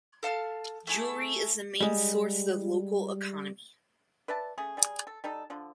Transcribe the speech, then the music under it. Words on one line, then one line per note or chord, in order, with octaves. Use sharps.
Jewelry is the main source of local economy.
A4 F5 A5 F6
A3 E4 G#4 A4
G3 G#3
B4 D5 E5 A5
A3 C#4 G#4
G3 G#4
A4
G3 D#4 A4
D3 F3 D4